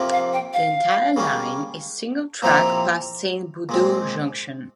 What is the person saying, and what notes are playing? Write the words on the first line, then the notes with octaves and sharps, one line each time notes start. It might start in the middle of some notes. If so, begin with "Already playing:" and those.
The entire line is single track past Saint Budeaux Junction.
Already playing: F2 C3 F3 A#3
F5
G5
F5
C#3 G3 A#3 C#4
A#2 F3 C4 E4 G4 A#5
A#2 G#3 C4